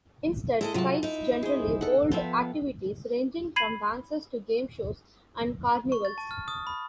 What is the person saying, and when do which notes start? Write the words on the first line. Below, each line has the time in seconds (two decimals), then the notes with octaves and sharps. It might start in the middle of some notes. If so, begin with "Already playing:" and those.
Instead, sites generally hold activities ranging from dances to game shows and carnivals.
0.61 G#3 E4 A4 D#5
0.74 C3 F#3 F4 A5
1.03 D#4 E4
1.43 G#4 C5
1.81 A4 F#5
2.12 F3 B3 E5 G5
3.56 B5 G#6 C7 D#7 F#7
5.92 C#6
6.05 A6
6.18 A5
6.31 F6
6.48 D#6
6.67 B5